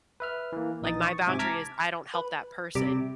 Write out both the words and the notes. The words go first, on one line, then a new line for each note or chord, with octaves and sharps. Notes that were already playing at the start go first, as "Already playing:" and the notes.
Like, my boundary is I don't help that person,
B4 E5 F6
E3 A#3
A#1 E3 D#4 D#6 A6
C#6
G#2 C3 E5 G#5 D6 G#6
A5 A#5 D6 F6 G#6 B6
B4
C3 G3 D6